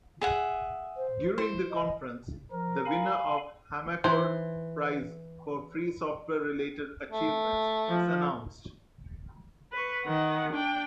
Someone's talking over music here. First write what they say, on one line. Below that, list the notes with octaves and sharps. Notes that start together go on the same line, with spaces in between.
During the conference, the winner of Hamakor Prize for free software-related achievements is announced.
G#4 E5 F#5
C5
E4 C5
D#5
F3 A#4
F5 G#5 B5
E3 C5
A3
F3
B4 C#6
D#3 F#5
D4 G5